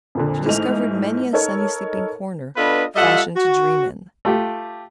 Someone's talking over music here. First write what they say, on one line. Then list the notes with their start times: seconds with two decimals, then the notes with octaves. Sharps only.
She discovered many a sunny, sleepy corner, fashioned to dream in.
0.15 F2 A#2 D3
0.46 G#2 E3 A3 D#5 F7
1.33 D#4 A4 A#4 C#5
2.57 B3 D4 F4 A4 B4 D#5
2.96 G3 F4 A4 D#5 E5 F#5
3.36 F#4
4.25 A3 F4 G4